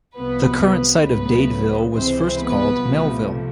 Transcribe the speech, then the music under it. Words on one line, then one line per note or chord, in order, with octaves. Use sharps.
The current site of Dadeville was first called Melville.
C2 C3 F3 B3 B4
C#2 C#3 F#3 A3 B3 B4
C#2 C3 E3 G#3 C4 C5
B3 B4
C2 C3 F3 A3